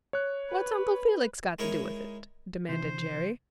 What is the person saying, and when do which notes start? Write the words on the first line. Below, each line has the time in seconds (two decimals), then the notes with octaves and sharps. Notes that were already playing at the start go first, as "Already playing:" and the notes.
"What's Uncle Felix got to do with it?" demanded Jerry.
0.13 C#5 F#6
0.49 B4
1.59 G#3 D#4 E4 A#4 C#5
2.69 C3 E3 C5